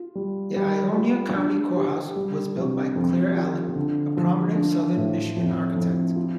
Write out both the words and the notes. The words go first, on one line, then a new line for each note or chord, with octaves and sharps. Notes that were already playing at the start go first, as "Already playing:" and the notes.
The Ionia County Courthouse was built by Claire Allen, a prominent southern Michigan architect.
Already playing: F4
G3
G3
F4
D4
G4
G3
C3
F2
F4
D3
F3
D4
A2
F2
F2
F4